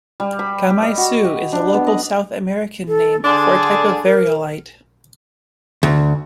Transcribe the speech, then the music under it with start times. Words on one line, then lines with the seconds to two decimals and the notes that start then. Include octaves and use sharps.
"Gamaicu" is a local South American name for a type of variolite.
0.20 G3
0.39 B5
0.70 G4
0.82 D#5
0.97 F#4
1.24 G4
1.53 D4
1.74 B3
1.87 D#5
2.88 A4
3.24 D3 D4 G#4 C6
4.05 A#4
5.83 D2